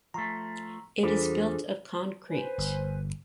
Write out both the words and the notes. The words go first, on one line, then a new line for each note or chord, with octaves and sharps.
It is built of concrete.
F3 A3 A#5
E2 G3 D4 F4 G#4 A4 C5
B4 C5 G#5
G1